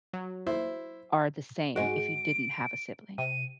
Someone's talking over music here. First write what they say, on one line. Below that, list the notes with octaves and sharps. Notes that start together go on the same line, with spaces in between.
or the same if you didn't have a sibling?
F#3
E4 C5
G#2 G#3 F#4 D7
C3 D#7